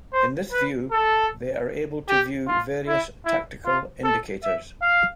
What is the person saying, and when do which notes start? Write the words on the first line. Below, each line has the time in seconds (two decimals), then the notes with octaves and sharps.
In this view, they are able to view various tactical indicators.
0.13 C5
0.52 B4
0.91 A4
2.08 G4
2.47 F4
2.87 E4
3.25 E4
3.65 F4
4.04 A4
4.43 E5
4.82 F5